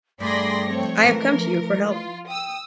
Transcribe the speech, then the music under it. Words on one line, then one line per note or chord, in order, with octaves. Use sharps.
I have come to you for help.
G2 A3 G#4 D5 B5 C6 A#6
F3 C4 C#5
E3 A#4
F4
G5 D#6 E6